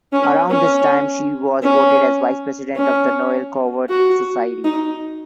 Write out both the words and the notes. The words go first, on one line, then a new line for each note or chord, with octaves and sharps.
Around this time, she was voted as vice president of the Noel Coward Society.
C#4
C#4
C#4
C#4
F#4
D#4